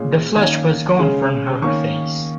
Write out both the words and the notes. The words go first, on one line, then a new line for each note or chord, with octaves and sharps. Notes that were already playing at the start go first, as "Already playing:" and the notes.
The flush was gone from her face.
Already playing: A#2 G#3 C#4
D#3 A#3 C#4 G#6
C#3 G#3 C#4
D#3 A#3 C#4 C#6